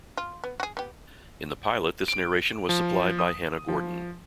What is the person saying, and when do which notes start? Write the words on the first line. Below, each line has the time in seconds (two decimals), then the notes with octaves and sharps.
In the pilot this narration was supplied by Hannah Gordon.
0.17 F4
0.44 B3
0.60 F#4 G#4
0.77 B3 G4
2.08 D7
2.69 F3
3.19 D#6
3.68 F3